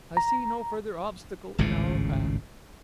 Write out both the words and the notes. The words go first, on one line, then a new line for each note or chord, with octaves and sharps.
I see no further obstacle in our path.
A#5
G#1 C#2 A2 C#3